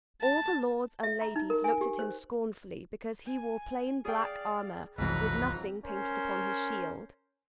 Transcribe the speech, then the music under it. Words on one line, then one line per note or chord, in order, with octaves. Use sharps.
All the lords and ladies looked at him scornfully because he wore plain black armor with nothing painted upon his shield.
A5
E5
A#5
D#4
A#4
G#5
G4
C5
G#5
G#4 D5 F5 G5
F#1 C2 F2 G#2 E3 F#3 B4 A#5
C#4 A#4 C5